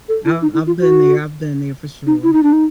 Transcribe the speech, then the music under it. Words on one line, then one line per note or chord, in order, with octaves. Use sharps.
I've I've been there, I've been there for sure.
A4
E4
D#4
E4
F4
F#4
D#4
E4
D#4
D4
D#4